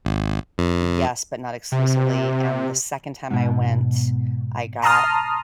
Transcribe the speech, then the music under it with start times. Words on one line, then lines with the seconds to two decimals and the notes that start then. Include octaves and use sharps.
yes, but not exclusively, and the second time I went, I got
0.05 G#1
0.58 F2
1.72 C3
3.31 G#2 B2
4.82 A5 A#5 C6 D#6 F6